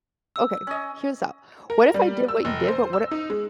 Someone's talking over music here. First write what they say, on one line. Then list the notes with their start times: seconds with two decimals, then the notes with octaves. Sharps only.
okay, here's up, what if I did what you did, but what I
0.36 E6
0.67 C#4 D#5
1.70 A#4
1.94 G3
2.28 E6
2.45 F1
2.68 C5
2.93 E6
3.11 D#4
3.30 G#3